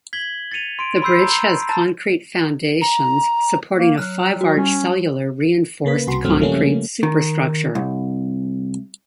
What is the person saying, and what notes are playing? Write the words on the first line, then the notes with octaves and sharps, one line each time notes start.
The bridge has concrete foundations supporting a five-arch cellular reinforced concrete superstructure.
G#6 B6 F#7 G7
A6 C7 C#7 D#7 F7
C6 D7
B5 C6 E6 G6 C7
A#5
A5 A#5 A6
A#5
A#3
F#3 F6 F#6
G5
F#4
G3 C#4
C#3 A#3 B4 B6
C2 F#4 C6
B1 G2 F#3 A3 C4 F6
C#3 F3 G3 A3 A#3 C#4
D#3
C2